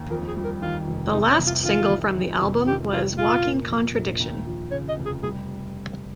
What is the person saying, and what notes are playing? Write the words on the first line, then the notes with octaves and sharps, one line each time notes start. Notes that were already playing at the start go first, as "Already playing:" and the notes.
The last single from the album was "Walking Contradiction".
Already playing: D#2
F2 A#4
G#4
G3
A#4
D#3 F4
F1
C3 D#4
C#4
C2
F4
D#3 F4
C2
F2
F1
D#3 G4
F1 F4
A#2 F4
A#3
F3
A#1
D#2
F3
C#3 C#5
D#5
F1
G#4
G3 G#4